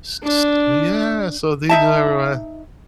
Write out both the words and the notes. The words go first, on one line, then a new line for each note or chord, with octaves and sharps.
s s Yeah, so these are my
D4
D#4 E5 A5